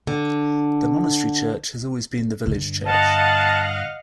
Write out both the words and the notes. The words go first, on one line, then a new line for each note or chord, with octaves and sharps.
The monastery church has always been the village church.
D3
G2 D3
D#5 F5 F#5 A5